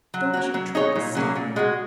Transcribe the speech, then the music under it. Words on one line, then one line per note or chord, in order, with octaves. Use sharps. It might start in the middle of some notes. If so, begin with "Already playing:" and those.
Don't you try to stop me!
F#3
A#3 F#4
F#3
D#4 G#4 C#5
A#2
F#3 A#3 C#4 G#4
A#2
G#3 F#4